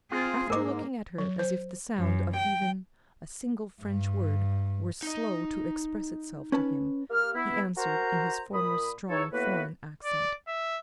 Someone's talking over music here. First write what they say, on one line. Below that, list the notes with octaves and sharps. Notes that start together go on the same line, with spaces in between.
After looking at her, as if the sound of even a single French word were slow to express itself to him, he answered, in his former strong foreign accent.
C4 F4 G#4
G#2 A#3 A#4 D6
F#3
C5
F#2
G5
G2
D#4 D#5
C#4 B4 A5
A#3 G4 F6
B3 E4
F#4 A#4 C5 A#5
A#2 B5 D#6
E2 D#4 A4 C#5
A2 E3 A#3 B3 F#4 B4
D5
E5